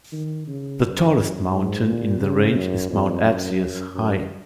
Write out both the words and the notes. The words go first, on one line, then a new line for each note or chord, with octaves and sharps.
The tallest mountain in the range is Mount Erciyes, high.
D#3
C#3
F#2
F#2
G#2
A#2
C#3
F#2
F2
F#2
F#2